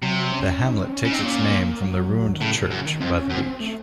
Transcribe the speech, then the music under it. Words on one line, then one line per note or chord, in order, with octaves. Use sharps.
The hamlet takes its name from the ruined church by the beach.
C3 F#3
C#4
D#4
C#4
C4
C#4
C#3
C3 D#4
A#2 C#4
A#3
F#3
D#3
A2 C#3
A#2
F#2 C#3
D#3
F2 C4
C#4
F#2 C4
C4
A3